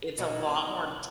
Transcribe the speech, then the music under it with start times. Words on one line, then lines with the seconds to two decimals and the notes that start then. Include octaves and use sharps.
It's a lot more
0.18 B2 C#4 D#4 E4